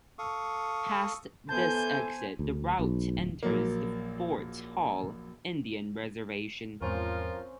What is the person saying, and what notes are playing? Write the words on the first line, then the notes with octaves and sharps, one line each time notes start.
Past this exit, the route enters the Fort Hall Indian Reservation.
A4 F5 C#6 D#6
E3 B3 A4 C5 G#5 A5 G6
D2
B1
D1
A#1 F#3 A#3
E2 G#2 F3 C4 C#4 F4 A#4